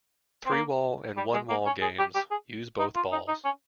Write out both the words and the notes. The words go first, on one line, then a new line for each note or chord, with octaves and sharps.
Three-wall and one-wall games use both balls.
C4
A#3
G3
G#3
A#3
C#4
G#4
G4
G4
G#4
D#4
F4
D#4
D#4
C#4